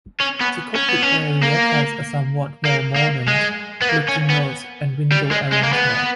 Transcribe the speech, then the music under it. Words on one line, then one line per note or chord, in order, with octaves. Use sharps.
The cockpit area has a somewhat more "modern" looking nose and window arrangement.
C#4
B3
C#4
B3
C#4
A#3
A#3
A#3
G#3
B3
A#3
C#4
B3
G3
G#3
G#3
A#3
B3